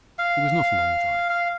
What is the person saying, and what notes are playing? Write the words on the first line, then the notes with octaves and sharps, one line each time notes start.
It was not a long drive.
F5
F5